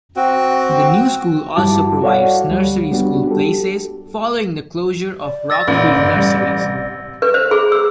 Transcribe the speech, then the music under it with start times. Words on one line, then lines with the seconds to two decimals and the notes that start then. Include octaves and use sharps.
The new school also provides nursery school places, following the closure of Rockfield Nursery.
0.16 C4 F#4
1.56 G2 G3 E4 F#4 A5 D6
2.02 F#4 A4 C#5 D5 F5 F#5
2.48 D2 G3
2.92 G3 B3 D4 F#4
3.27 G4 A4
5.22 D5
5.50 E6 A6 A#6
5.68 A1 A#2
5.98 G2
6.16 G3 A#6
6.59 C3
7.22 B4
7.34 C5
7.51 G#4
7.72 E6